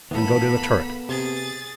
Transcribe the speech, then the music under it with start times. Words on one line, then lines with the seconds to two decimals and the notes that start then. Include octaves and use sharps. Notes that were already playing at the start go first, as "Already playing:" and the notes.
Then go to the turret.
0.11 A2 E3 A#3 B3 A4 B5
1.09 C3 G#4 A6